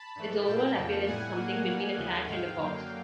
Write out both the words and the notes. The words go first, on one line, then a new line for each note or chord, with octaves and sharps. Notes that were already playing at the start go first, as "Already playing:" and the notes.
Its overall appearance is something between a cat and a fox.
Already playing: A5 B5
G2 E3 A3
A#2 G3 A#3 G5 A5
F2 C#3 F3 A#3
A2 E3 G3 F#5 G#5
A2 F#3 A#3
B2 G3 A#3
D#2 C#3 F3 A3
G#2 D#3 G#3 F5 G5
F#2 D3 F#3 A#3